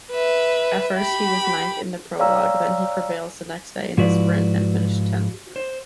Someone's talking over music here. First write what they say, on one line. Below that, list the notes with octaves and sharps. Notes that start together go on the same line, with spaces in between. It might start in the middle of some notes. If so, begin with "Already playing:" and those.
At first he was ninth in the prolog, then he prevails the next day in the sprint and finished tenth.
B4 E5
G4 B5
C#5 D5 F5 G5 A#5 E6
G#2 F3 E4 F#4 B4 D5
C5